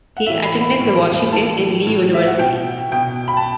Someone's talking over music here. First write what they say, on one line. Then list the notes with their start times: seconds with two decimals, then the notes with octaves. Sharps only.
He attended the Washington and Lee University.
0.17 F#5
0.26 A2 E5
0.31 E3
0.44 B5
0.61 B5
0.79 A2 E3
1.32 A2 E3 A5
1.86 A2 E3
2.14 E5
2.26 F#5
2.39 B2 G5
2.92 B2 G5
3.28 B5
3.37 A5